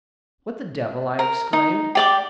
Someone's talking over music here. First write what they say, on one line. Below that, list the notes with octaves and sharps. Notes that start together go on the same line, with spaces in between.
"What the devil!" I exclaimed.
A#4
D#4
G4 D5 D6